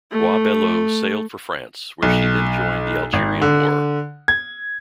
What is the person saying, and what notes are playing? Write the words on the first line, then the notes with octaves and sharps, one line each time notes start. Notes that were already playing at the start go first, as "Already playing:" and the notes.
"Bois Belleau" sailed for France, where she then joined the Algerian War.
A3
B1
G#1
D3
G#6